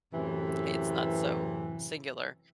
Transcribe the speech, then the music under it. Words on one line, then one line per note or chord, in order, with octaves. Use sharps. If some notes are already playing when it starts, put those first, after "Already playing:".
It's not so singular.
F#2 A2 C3 E3